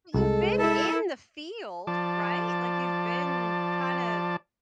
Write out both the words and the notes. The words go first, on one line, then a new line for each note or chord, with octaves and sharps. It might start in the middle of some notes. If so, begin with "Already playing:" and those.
You've been in the field, right? Like, you've been kinda
C2 G#3 A4
E4 A4 E5 A5
F3 D5 A5